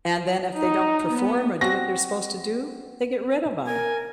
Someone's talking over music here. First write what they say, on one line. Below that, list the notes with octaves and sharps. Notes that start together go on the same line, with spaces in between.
and then if they don't perform or do what they're supposed to do, they get rid of 'em,
D#4
B3
C4 F#4 F#5 A#6
A#4 G#5